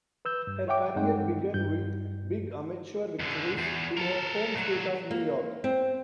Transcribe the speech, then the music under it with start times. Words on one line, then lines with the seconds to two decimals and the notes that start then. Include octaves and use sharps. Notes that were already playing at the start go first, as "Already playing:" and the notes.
Her career began with big amateur victories in her home state of New York.
0.25 B4 E6 G6
0.47 G2
0.68 C#5 E5 F#5 G5 D6
0.96 G2 G#3 C4 D#4 F#5 G5
1.54 G2 G6
3.20 F#2 D3
3.58 E2
3.97 A4 A#4
4.55 A#2 F#3
5.11 A#3
5.64 C4